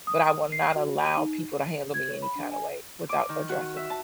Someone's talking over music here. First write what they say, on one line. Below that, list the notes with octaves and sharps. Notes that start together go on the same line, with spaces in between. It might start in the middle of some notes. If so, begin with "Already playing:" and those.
but I will not allow people to handle me any kinda way without addressing it.
D#6
C7
F#4
D#7
D#4
G#6
C#5
B5
D4
G#5
D6
D#3
F#4
E5
A5